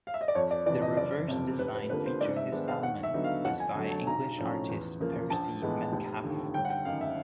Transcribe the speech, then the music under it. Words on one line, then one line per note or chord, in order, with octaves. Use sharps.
The reverse design featuring a salmon was by English artist Percy Metcalfe.
F5
E5
D#5
D5
F2 C#5
D5
C3 E3 D5
D#5
F#1 D5
F2 C3
F1 B4
B4
F2 D3 F3 A#3 B4
C5
G#2 D5
E5
D#3 G#3 B3 D4
F5
D#2 F#5
E5
D3 F#3 B3 D#4
F5
F2 F#5
G#5
D3 F#3 A3
A5
B1 A#5
A2 F3 A3 C#4
E2
C#3 F3 A#3
A#1 A5
A2 E3 G#3 B3
F1
D#2 D3
G1 G5
F#5
G5
F#2 D#3 F5
E5